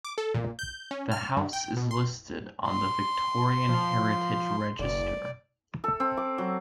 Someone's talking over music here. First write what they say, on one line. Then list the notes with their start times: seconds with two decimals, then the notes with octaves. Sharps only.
The house is listed on the Victorian Heritage Register.
0.05 D6
0.18 A4
0.35 A#2
0.59 G6
0.91 C#4
1.12 F6
1.37 G2
1.53 G5
1.77 B2
1.91 C6
2.67 C6
3.69 F3
4.79 F#1 D5
5.84 A4
6.00 C4
6.17 D6
6.38 F#3